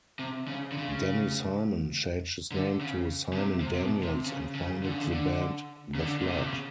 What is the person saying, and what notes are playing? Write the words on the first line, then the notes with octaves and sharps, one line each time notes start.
Danny Simon changed his name to Simon Daniels and founded the band The Flood.
C3
C#3
D3
C#3
D3
C#3
C#3
C3
C3
C3
B2
C3
C#3
C#3
D3
C#3
D3
D3
C#3
D3
A#2
B2
C3
C#3